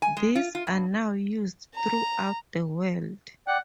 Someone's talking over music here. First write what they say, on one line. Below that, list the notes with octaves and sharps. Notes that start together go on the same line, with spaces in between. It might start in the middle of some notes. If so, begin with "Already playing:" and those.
These are now used throughout the world.
G#5
G#3
F4
F4
G2
A#5
D5 F#5 G5